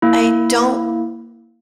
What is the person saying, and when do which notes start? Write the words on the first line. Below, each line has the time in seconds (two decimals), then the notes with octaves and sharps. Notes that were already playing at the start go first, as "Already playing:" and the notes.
I don't
0.02 A#3 E4